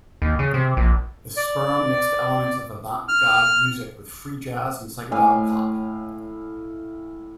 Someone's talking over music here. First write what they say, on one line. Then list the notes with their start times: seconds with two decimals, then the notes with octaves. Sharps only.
The Sperm mixed elements of avant-garde music with free jazz and psychedelic pop.
0.22 D#2
0.39 C#3
0.54 C3
0.77 A#1
1.37 D5
3.08 F6
5.11 A2 F5 G#5